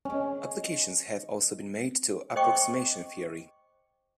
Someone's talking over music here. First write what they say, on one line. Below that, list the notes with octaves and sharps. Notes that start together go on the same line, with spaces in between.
Applications have also been made to approximation theory.
D#3 G#3 C#4
C5 D#5 G5 C#6 D6